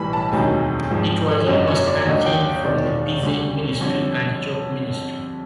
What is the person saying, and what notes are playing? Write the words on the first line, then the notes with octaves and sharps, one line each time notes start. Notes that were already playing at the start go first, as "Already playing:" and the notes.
It was almost unchanged from the Pizzey Ministry and Chalk Ministry.
Already playing: B1 A2 E3 G3 B5
A5
E1 D2 C3 D#3 F#3 G#5
G#1 G#2 F3
F#1 F#2 D3 F#3 D#5
C#5
D5
D#2 D3 F#3 D#5
G5
E1 D#2 D#3 D5
D2 D3 G3
F2 D3 G3 C#5